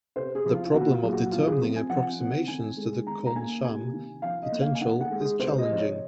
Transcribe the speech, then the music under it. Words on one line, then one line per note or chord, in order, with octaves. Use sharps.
The problem of determining approximations to the Kohn-Sham potential is challenging.
C3 C5
G#4
F3
F4
F4
A#2 F#4
F4
F#3 G#4
F#4
F3 F4
G#4
C4
G#5
F3 F#5
C4
D#3 G#5
G#3
D#3 A#5
A#5
A#3 G#5
C3 G#5
D#3
F3 F5
D#5
A#3
F5
G#5
D#3 F#5
F#5
G#3
G#4
C3 C5
D#5
F3 D#5
C#5